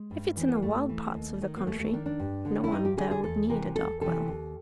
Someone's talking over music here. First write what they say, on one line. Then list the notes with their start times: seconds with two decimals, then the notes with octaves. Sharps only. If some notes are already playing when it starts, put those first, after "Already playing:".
If it's in the wild parts of the country, no one there would need a dark well.
Already playing: G#3
0.11 G2
0.37 E3 C4
0.48 B3
0.56 A#3
0.62 G2 A3
0.89 E3
1.15 D#2
1.41 D#3
1.57 A#3
1.67 D#2 A3
1.80 A3
1.93 D#3 D4
2.06 D4
2.20 G2
2.45 D3
2.64 E4
2.71 G2 D#4
2.85 G4
2.97 D3 G#4
3.11 G#4
3.24 E2 A4
3.49 C3 E3 A#4
3.76 E2 A4
4.01 C3 E3 A4
4.28 D#2